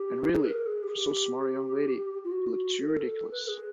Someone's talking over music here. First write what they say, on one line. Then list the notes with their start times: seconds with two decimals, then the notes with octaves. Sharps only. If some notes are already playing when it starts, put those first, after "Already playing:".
And really, for so smart a young lady, you look too ridiculous.
Already playing: G4
0.33 G#4
0.45 B4
0.49 A#4
0.66 G#4
0.83 G4
0.89 G#4
0.96 G4
2.24 F4
2.31 F#4
2.80 A4
2.88 A#4
2.96 A4
3.31 B4
3.47 G#4